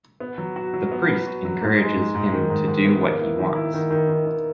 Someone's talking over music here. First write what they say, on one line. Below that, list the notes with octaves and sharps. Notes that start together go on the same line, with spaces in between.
The priest encourages him to do what he wants.
B3
F#3
F#4
F#3
B3
B4
F#4
F#3
G#2
G#3
G#2
G#2
D#3
G#2
G#2
B3
A#3
E4
D#3
E4
D#3
D#3
D#3
D#3